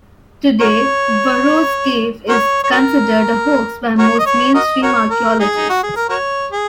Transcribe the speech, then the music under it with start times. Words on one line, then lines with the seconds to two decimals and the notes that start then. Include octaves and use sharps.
Today, Burrows Cave is considered a hoax by most mainstream archeologists.
0.60 F#4 A#4 C#5
2.29 F#4 A#4 C#5
2.64 C#5
2.71 C#4 F#4 A#4
3.99 F#4 A#4 C#5
4.19 D#5
4.26 C#5
4.54 F#4 A#4 D#5
4.82 F#4 A#4 C#5
5.10 A#4
5.39 D#4 G#4
5.56 D#4
5.69 F#4
5.83 G#4
5.96 A#4
6.09 F#4 A#4 C#5
6.51 G#4